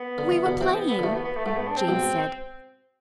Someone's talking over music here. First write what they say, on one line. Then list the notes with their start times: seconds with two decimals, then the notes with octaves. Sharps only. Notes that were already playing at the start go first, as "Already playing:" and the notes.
"We were playing," Jean said.
Already playing: B3
0.18 D3
0.32 E3
0.46 B2 D3
0.60 C3 E3 C4
0.76 B3
0.89 B3
0.99 D3
1.03 C3 E3 A3
1.14 B3
1.25 B3
1.36 A3
1.46 G#2 A3
1.57 B3
1.67 D4
1.77 C4
1.88 G#2 B2